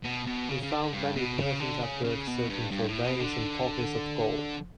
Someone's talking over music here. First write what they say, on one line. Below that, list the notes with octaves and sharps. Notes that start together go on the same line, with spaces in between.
We found many persons at work searching for veins and pockets of gold.
B2
B2
C#3
C#3
D3
G2
B2
C#3
D3
C#3
C#3
B2
G2
G2
A2
B2
D3